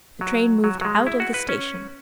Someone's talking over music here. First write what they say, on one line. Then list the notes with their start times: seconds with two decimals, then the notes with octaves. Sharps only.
The train moved out of the station.
0.21 F#3
0.64 F#3
0.81 F#3
0.85 G#3
1.07 E4
1.20 F#4
1.34 B4
1.49 C#4